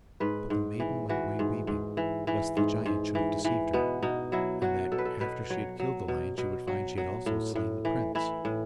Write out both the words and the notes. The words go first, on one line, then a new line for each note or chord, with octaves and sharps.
But the maiden went away weeping, lest the giant should have deceived her, and that after she had killed the lion she would find she had also slain the prince.
G#2 B4
G#2
E3
E3 F#4
G#2
G#2
E3
E3
G#2
G#2
E3
E3
B2 B3
B2 D#4
F#3 E4
F#3 F#4
B2 A4
B4
A4
B2 B4
F#3 C#5
F#3
B2
B2
F#3
F#3
A2
A2
E3
E3 E4
A2